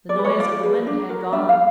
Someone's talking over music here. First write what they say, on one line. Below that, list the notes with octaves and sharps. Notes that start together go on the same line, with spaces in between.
The noise of the wind had gone.
D5
G#4 B4
C#5
F4 D5
G#4 B4
D4
F#4 A#4
D4 E5
F5